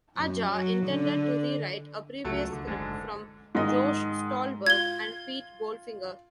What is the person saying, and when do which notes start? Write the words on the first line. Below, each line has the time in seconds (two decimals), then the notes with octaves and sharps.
Aja intended to rewrite a previous script from Josh Stolberg and Pete Goldfinger.
0.17 F#2
0.51 F#3
0.86 D3
2.24 C#2 F#3 A3
2.52 D3
2.67 F#1 G#2 D3
3.55 G#2 D#3 D#5
4.66 F4 G#6 G7